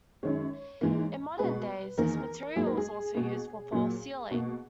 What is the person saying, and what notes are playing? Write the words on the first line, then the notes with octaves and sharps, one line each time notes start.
In modern days this material is also used for False Ceiling.
F#2 D#3 G#3 C#5
G#2 E3 A#3
B2 G#3 B4
E2 D#3 A#3 A#4
G#2 F#3 A#3 G#4
A#4
G#4
B2 A#3
A#2 F#3 A#3
B2 A#3